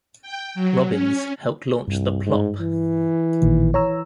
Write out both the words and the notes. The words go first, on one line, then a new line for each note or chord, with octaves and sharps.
Robbins helped launch the Plop!
G5
F#3
C#4
C2 G2
G#2
E3
A1 A#2 D#3
E3 C#5 A#5 E6